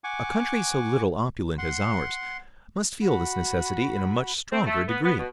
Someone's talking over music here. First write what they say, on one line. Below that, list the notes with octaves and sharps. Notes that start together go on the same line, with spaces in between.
A country so little opulent as ours must feel this necessity in a much stronger degree.
F#5 G#5 C#6 D6
F#5 C6
F#4 B5
C4
A3
B3
B3
B2